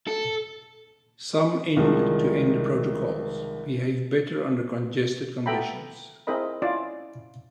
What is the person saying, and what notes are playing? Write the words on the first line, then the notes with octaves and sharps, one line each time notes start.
Some end-to-end protocols behave better under congested conditions.
A4
C2 D#3 F3 G#3
B3 A4 E5 G5 A#5 B5
C4 E4 G#4 A#4 D#5 B5
C#4 E4 F4 D5 F5